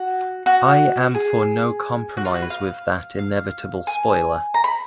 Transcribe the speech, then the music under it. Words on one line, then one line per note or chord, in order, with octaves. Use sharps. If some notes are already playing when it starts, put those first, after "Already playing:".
I am for no compromise with that inevitable spoiler.
Already playing: F#4
F#4
G#4
F#4
F4
F#4
B4
F5
F5
G#5
A#5
B5